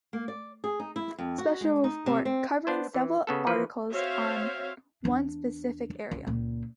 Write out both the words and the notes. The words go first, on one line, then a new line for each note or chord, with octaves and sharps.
Special Report: Covering several articles on one specific area.
A#3
D5
G#4
D#4
E4
F2
F#4
G#3
D#4
C3
C4
B3 D4 C5
E3
C#3 B3 A4
E3 F3 B4
C4 F#4 C5 C#5 E5 F5
E2 D4
C#2
C#2 A#2